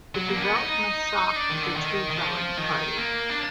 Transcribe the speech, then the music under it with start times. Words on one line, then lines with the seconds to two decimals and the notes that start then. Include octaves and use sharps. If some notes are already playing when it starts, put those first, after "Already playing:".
The development shocked the tree-felling party.
0.15 F#3
0.28 A#3
0.36 D4
0.42 B3
0.55 D#4
1.36 D4
1.49 D#3
1.63 D3
1.76 D#3
2.10 D#3
2.17 F3
2.58 D#3
2.98 A#3
3.30 D4